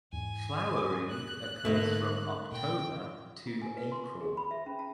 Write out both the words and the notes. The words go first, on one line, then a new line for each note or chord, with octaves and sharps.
Flowering occurs from October to April.
E2 G#2 G#5
F#6
G#2 D3 A3 A#3 D#4
A#2 G5
F4
G#5
B4
C6
C#6
G#4
B5
E5
C#4
A5